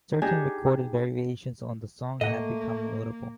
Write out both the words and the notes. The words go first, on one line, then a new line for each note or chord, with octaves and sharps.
Certain recorded variations on the song have become notable.
D4 D#4 G4 G#4 G#5
A2 A3 A#3 D#5 F#5